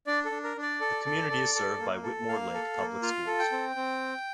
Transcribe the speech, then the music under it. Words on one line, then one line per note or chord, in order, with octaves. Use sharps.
The community is served by Whitmore Lake Public Schools.
D4 D5
A4
D4
A#4
D4
D5
A4
A4
A4
A4
A#3
A4
A#3 F5
A4
A#3
F4 F5
A4
G5
C4
C4